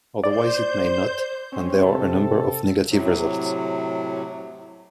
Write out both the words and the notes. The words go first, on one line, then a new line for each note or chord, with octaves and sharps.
Otherwise it may not, and there are a number of negative results.
C5 D5 G6
C4 C#4
C3 A4
A2 C3 F#3